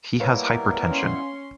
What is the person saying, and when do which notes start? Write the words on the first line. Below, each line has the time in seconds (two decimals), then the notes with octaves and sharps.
He has hypertension.
0.20 G3 A#3 B3 E4 A#4 B4 C#5 F5
0.89 C#4 C6